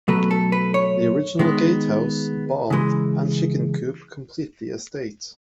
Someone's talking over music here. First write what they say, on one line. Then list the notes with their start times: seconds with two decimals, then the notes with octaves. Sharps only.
The original gatehouse, barn and chicken coop complete the estate.
0.08 B2 F#3 A3 B4
0.31 A4
0.52 B4
0.74 C#5
1.39 D#3 G#3 B3
2.70 C#3 E3 G#3